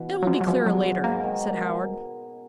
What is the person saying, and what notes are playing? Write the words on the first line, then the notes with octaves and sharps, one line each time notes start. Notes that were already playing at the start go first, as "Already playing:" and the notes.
"It will be clearer later," said Howard.
Already playing: B2 E3
C#4
F#3
F3 G#3
F#3
B2 F3
F#3 G#3
B2
G#2 A#3
D#3